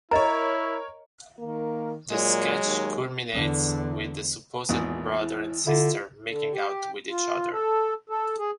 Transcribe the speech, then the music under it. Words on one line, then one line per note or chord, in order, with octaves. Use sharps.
The sketch culminates with the supposed brother and sister making out with each other.
E4 A#4 C#5 D#5 A#5
D#3 A#3
A#2 F#3 G#3
D#2
E2 D3
G#1 E2 A#2
E4
D3 E4 F4
D3
G4
F4
A4
A4
G#4